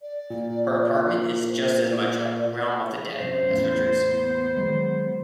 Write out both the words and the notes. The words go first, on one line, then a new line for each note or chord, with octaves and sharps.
Her apartment is just as much a "realm of the dead" as Richard's.
D5
A#2
C5
D5
F#2 C3 C5
E2 A2 B3
D#3 F#3 G#3